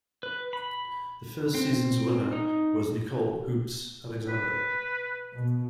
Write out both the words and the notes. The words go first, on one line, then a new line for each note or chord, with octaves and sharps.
The first season's winner was Nicole "Hoopz" Alexander.
B4
B5
C4
D#4
B4
B2